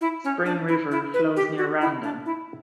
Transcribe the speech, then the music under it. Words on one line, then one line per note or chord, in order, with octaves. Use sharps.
Spring River flows near Ravenden.
E4
C#4
D4
E4
E4
B4
G4
F#4
E4
D4
E4